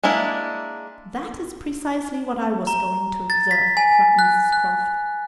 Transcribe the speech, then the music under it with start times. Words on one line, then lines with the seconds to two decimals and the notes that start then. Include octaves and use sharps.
"That is precisely what I was going to observe," cried Mrs Croft.
0.03 G#3 A#3 D4 E4
2.67 A#5
3.30 A6
3.51 B6
3.77 G#5
4.19 F#6
4.52 F#6